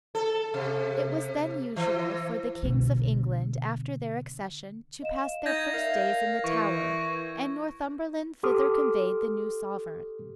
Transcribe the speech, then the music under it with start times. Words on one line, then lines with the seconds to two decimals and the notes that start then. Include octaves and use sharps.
It was then usual for the kings of England, after their accession, to pass their first days in the Tower, and Northumberland thither conveyed the new sovereign.
0.15 A4
0.54 C3
1.76 E3
2.62 B2 D3
5.02 D#5 F5 E7
5.46 D#4 G6 G#6 A#6
5.74 A#4 D5 E5 F5
6.44 E3 C#6
8.43 G4 A4 C6 D6 D#6 F6